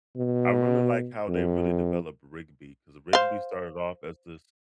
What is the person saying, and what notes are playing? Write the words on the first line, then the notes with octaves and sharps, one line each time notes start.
I really like how they really developed Rigby because Rigby started off as this
B2
F2
C5 F5